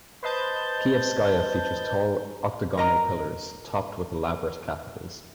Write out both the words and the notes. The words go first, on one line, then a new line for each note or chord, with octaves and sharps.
Kiyevskaya features tall, octagonal pillars topped with elaborate capitals.
B4 C5 D#5 A5 G6
A#4 D#5 A#5